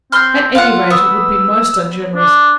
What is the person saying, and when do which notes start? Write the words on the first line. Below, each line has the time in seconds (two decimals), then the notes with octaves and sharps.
At any rate it would be most ungenerous.
0.12 C4 C6 F6
0.55 F4 F5 F#5
0.90 B3 E6
2.16 D4